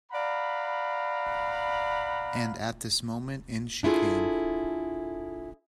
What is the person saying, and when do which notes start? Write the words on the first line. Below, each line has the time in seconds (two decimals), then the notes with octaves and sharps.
And at this moment in she came.
0.12 D5 F5 F#5 A#5 B5
3.83 D4 E4 F4 G#4 A4